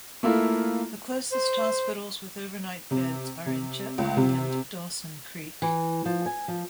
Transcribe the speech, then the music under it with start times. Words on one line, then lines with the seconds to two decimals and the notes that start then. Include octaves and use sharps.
The closest hospitals with over-night beds are in Chetwynd and Dawson Creek.
0.23 A3 A#3 E4 F4
1.32 C5
2.91 C3
3.46 C3
3.98 C#2
4.17 C3
5.62 E3
6.05 F3
6.26 G#5
6.48 F3